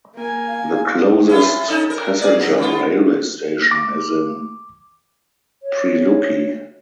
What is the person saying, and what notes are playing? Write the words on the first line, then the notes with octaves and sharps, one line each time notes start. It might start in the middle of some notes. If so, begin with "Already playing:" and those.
The closest passenger railway station is in Pryluky.
A#3 G#5
F5
C#4 E4 F4
C#4 D#4 A4
A#4
G#4 D5
F#3
D#3 B3 F4
D6
C#5